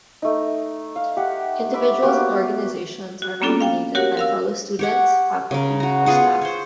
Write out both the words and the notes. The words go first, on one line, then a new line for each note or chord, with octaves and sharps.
Individuals and organizations are nominated by fellow students, faculty or staff.
A3 D#4
F5
G4 F#5
E5 B5 C#6 D6
A#3 B3 F#4 G4
F#4
A#3 B3 C#4 D4 F4 A4
F5 G5
F#4 G4 A#4 C#5 F#5
A#4 F5 E6
G4 C#5 F#5
C#3 A#4
F#4 A#5
B3 F4 G#4 F#5
C5 C#5